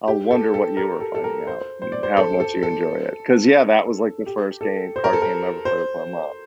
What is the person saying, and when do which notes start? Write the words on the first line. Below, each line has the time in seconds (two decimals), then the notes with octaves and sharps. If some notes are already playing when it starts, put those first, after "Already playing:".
I'll wonder what you were finding out and how much you enjoy it 'cause, yeah, that was like the first game card game I ever played with my mom.
0.08 G4
0.31 A4
0.54 A4
0.77 A#4
1.00 A4
1.15 A4
1.24 A#4
1.47 C5
1.82 C5
1.92 D5
2.03 C5
2.17 A4
2.40 A4
2.63 A4
4.26 G4
4.61 A4
4.96 C5
5.04 A#4
5.13 A4
5.22 A#4
5.65 C5